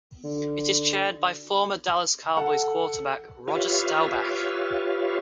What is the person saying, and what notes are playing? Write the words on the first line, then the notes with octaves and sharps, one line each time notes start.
It is chaired by former Dallas Cowboys quarterback Roger Staubach.
D3
A4 F#5
F4 G4 B4 C#5 E5 F5